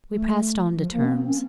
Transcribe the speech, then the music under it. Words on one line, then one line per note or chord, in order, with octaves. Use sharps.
We passed on to terms.
A3
F3
A#3
C#4
C4
C#4